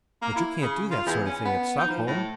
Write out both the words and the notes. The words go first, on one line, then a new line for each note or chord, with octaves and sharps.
"But you can't do that sort of thing at Stockholm!"
A#3
E4
C#3
F4
E2
C#4
B3
D#4
F3
A2